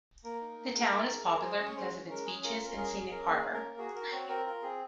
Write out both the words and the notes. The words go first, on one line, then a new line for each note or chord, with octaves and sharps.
The town is popular because of its beaches and scenic harbor.
A#3 A#4
D#4
A#3
G#3
D#4
G#3
G#4 A#4
G#4 C5
C#4 C#5
G#3 C5
C#4
G#3 A#4
C#4 G#4
F4 A#4
C#4 A#4
G#4 A#4
G#4
C#4 A#4
A#3 G#4
C#4
A#4
A#3
F#4 G#4
F#4 A#4
C4 C#5
C4 A#4
F4 A#4
C4 G#4